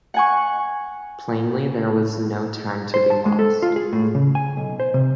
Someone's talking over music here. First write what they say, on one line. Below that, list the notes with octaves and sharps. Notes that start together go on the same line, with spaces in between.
Plainly there was no time to be lost.
F#5 G#5 C#6
C5
A5
G#3
A4
F4
G#4
A2
C#3
G#5
B1
C5
C3